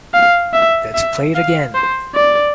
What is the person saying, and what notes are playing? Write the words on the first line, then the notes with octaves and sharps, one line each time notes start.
Let's play it again!
F5
E5
E5
F5
C5
D5